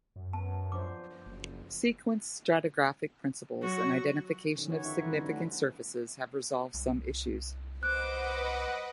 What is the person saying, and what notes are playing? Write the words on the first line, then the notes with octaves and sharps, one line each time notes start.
Sequence stratigraphic principles and identification of significant surfaces have resolved some issues.
F#2
B3 A5
F3 D4 C5 D6
F#1
F#3 F#4 C#6
D3 D#3 F3 C#4
B3 D#4 F#4 G4 B4 C#5
D#4 F4 E5
E3 G3 E4 B4
D3 E3 G3 B3 C#4
G3 A3 B3 C#4 D4 F#4
C2
B4 C5 D#5 F#5 D6 F#6